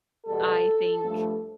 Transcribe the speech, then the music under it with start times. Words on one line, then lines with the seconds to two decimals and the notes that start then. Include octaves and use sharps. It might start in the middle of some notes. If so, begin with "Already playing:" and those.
I think,
0.26 E2 B2 G3 A4
1.03 G2 F3 A3